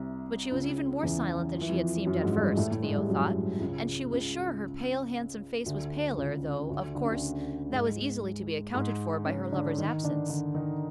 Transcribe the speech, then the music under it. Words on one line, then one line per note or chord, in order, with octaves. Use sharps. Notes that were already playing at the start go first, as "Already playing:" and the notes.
But she was even more silent than she had seemed at first, Theo thought, and she was sure her pale, handsome face was paler, though, of course, that was easily to be accounted for by her lover's absence.
Already playing: C2 C3
C#2 C#3
E2 E3
F3
E3
F2 F3
F#2 F#3
G#2 G#3
G#3
G2 G3
A2 A3
A2 A3
G#2 G#3
G2 G3
F#2 F#3
C#2 C#3
C#2 C#3
D2 D3
C#2 C#3
D2 D3
D3
C#3
D2 D3
G#2 G#3
G#2 G#3
C#3 C#4
D3 D4
D#3 D#4
D3 D4
D3 D4
D#3 D#4